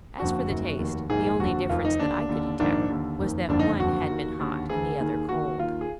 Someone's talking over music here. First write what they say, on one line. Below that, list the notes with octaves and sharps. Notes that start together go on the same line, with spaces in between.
As for the taste, the only difference that I could detect was that one had been hot and the other cold.
F#1 F2 D3 F#4
F#1 F#2 D#3
F1 D#2 D#3
A#1 G#2 D#3 G#4
F#1 F2 D3 F#4
F1 F2 D#3 F4
D#4
D#2 D3 D4
D#2 D3
A#1 G#2 D#3 D4
D#2 D3
F#1 F2 D#3
F#1 F2 D3 D4
D#4
F#1 F2 D3 F#4
D#2 D#3
D#2 D3
D2 D3 G#4
D#2 D#3
D#2 D#3 F#4
D#2 D#3 F4
G#4